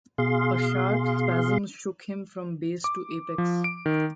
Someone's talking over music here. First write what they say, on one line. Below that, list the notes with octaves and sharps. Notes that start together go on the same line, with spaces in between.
A sharp spasm shook him from base to apex.
B2 G#4 F5 C6
D6
F3
D7
D#3